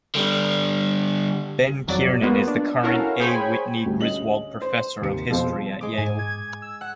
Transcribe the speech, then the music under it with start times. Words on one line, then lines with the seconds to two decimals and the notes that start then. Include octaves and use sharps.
Ben Kiernan is the current A. Whitney Griswold Professor of History at Yale.
0.15 D3 G3
1.87 G#1 F2 F#3 D5
2.22 G#3 A#3 B3 F4 F#4
2.48 D4
2.83 C#4 E4 F#4 A4 A#4 F5
3.20 G#4 C5 C#5 G5 G#5 B5
3.86 D2 G3
4.01 C#4 G#4 D#5 F#7
4.62 C5
5.02 D#2 C3 C#7
5.31 F2 B2 G#4 C5 F5
5.81 G#3 D6
5.98 G#2 G#5
6.19 G#6
6.62 E6
6.81 F#5 F#6